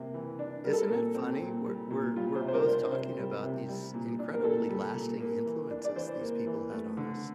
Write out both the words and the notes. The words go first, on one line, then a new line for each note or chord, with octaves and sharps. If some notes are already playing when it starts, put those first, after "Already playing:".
Isn't it funny? We're we're we're both talking about these incredibly lasting influences these people had on us.
Already playing: C3 A#3
E3
D4
G3 A#4
A4
A#4
A#2
C4
A#2
G3
A#2
G3 F4
C5
C3
C5
A#4
D4
C5
C3 C5
G3
C3
G3
A#2
D4
A#4
A#2 A4
G3
A#2
A#3
E3
D4
D5
E3 C5
A#3
E3
A3
D3